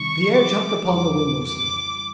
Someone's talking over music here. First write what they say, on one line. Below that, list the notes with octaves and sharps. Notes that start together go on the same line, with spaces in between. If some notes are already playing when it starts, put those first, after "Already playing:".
Pierre jumped upon the window sill.
Already playing: C3 D#3 G3 C#6
D6
F2 C#3 E3 G3 D6
D6